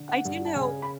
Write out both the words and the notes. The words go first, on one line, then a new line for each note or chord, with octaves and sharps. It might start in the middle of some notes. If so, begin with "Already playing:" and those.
I do know
Already playing: D3
F#5
G2
A5
C#3 G#5
B5